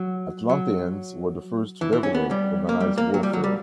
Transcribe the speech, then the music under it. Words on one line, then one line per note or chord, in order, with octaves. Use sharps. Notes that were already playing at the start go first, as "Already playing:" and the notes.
Atlanteans were the first to develop organized warfare.
Already playing: F#3
F#3
E3
E3
C#4
B3
G3
A#3
G3
A#3
F#3
G3
F#3
G3